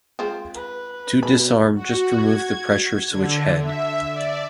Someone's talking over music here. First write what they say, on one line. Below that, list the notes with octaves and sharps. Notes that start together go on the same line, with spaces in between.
To disarm just remove the pressure switch head.
G#3 C4 F4
B4
B2 B5
F#4
G#6
D3
E5
D5